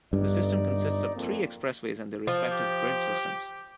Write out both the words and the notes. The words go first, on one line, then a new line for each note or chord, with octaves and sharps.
The system consists of three expressways and their respective bridge systems.
G1 G2 D#4 D5
F2 A#3
F3
G4